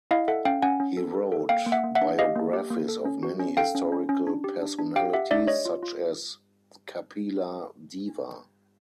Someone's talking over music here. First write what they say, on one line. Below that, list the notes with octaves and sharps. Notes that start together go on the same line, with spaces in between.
He wrote biographies of many historical personalities, such as "Kapila Deva".
E4 D#5 F5
A4 E5 F#5
C#4 F5 G5
C#4 F#5 G#5
C#4
A4
A4
A4
A#3 F5 G5
A#3
E5 F#5
A#3
E5 F#5
D4
G4 D#5 F5
A#3
G4
A#3
A4
C#4
F#4
C#4
A4 F5 G5
C#4
C#4
C#4
D4
G4
D4
D4
G4 F5 G5
G4 E5 F#5
D4 D5 E5
G4 C#5 D#5
F4
F4